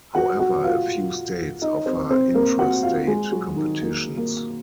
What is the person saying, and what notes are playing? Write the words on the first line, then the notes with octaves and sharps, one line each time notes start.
However, a few states offer intrastate competitions.
F#4 F#5
F#4 F#5
F4 F5
D#4 D#5
C4 C5
C4 C5
A#3 A#4
F#4 F#5
F4 F5
G#3 G#4
F#3 F#4
D#3 D#4
A#3
A#3